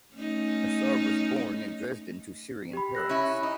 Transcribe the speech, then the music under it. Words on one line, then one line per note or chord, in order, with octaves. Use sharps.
Nasr was born in Dresden to Syrian parents.
A3 C#4 D#4
G4 B5
E6 F#6 A#6
C#4 E4
D#4